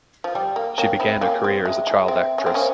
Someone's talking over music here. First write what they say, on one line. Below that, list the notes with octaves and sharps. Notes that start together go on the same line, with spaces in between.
She began her career as a child actress.
F3
G3 G5
A#3
A#3 C#4 G5
C4 E4
A#3 C#4 G5
C4
G#3 E5
G#3
C4 E5
C#4
C4
A#3 C#4 C5